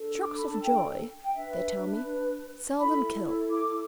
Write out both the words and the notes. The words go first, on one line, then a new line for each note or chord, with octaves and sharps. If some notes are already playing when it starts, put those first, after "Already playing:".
Shocks of joy, they tell me, seldom kill.
Already playing: D4 A4
D6
B5
A5
G5
G5
D4 B4 E5
E4 A4 B5
D6